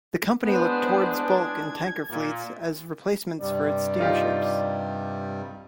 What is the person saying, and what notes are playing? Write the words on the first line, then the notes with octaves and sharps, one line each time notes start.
The company looked towards bulk and tanker fleets as replacements for its steamships.
A1 G#3 B3 D4 C5
G#6
A#2
G2 C3 G3 D5
D#4 F4 G4